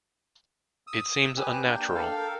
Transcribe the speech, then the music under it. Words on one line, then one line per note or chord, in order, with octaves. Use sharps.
It seems unnatural!
D#6 E6
G4 B4 G#5
A#3 D4 G5
A4 F5
A#4